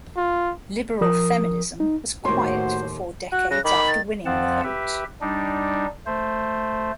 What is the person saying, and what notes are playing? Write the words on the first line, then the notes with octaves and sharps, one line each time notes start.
Liberal feminism was quiet for four decades after winning the vote.
F4
F3 A#4 D#6
D#4
D#2 A2 F#4 C5 C#5 C6
F#4 F#6
C#3 F#6 A#6
D#3 B5 D6
A6
F2 F3 C4 F#5 A5
G4 B4 E5
G3 D4 D#4
A3 C5